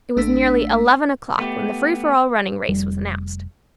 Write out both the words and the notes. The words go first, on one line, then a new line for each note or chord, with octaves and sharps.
It was nearly eleven o'clock when the free-for-all running race was announced.
A1 A3 D4 E6 B6
A3 B3 G4
F1 G3